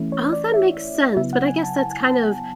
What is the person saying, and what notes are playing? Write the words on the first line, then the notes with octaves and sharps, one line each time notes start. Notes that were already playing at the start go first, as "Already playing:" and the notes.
All that makes sense, but I guess that's kind of,
Already playing: E3 A3 C#4 E4
C#5
D5
E5
C#3 F#3 B3 E4 E5
F#5
G#5
A5
A5
A5